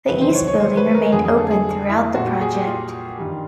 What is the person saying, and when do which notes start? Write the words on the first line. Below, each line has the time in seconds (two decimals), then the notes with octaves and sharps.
The East Building remained open throughout the project.
0.09 E2 C3 D#3 F#3 B4
0.22 C5
0.35 C#5
0.47 C#5
0.60 C5
0.77 B4
0.94 A#4
1.12 F2 D3 F#3 G#4
1.25 G#4
1.38 A4
1.51 G#4
1.89 E4
2.15 A#2 G3 F#4
2.28 G4
2.41 G#4
2.54 G4
2.67 F4
3.18 G2 D#3 G3